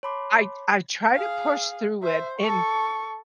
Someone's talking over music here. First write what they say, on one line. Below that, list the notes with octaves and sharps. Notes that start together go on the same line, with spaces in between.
I I tried to push through it, and
C#5 A5 B5 C6 D6
G#4 F5
C5 E5
A4 C#6